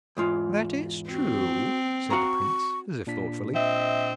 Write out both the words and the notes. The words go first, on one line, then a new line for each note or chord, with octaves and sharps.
"That is true," said the Prince, as if thoughtfully.
E2 G#2 F4
C4 F#4
F#4 F5 A#5 C#6
A#2 D4 B6
C4 D#5 E5